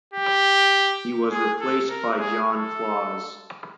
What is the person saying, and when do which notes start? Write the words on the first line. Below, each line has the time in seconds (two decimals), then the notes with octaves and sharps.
He was replaced by John Claus.
0.14 G4
1.31 G#4
1.61 A4
1.90 A#4
2.19 G#4
2.48 A4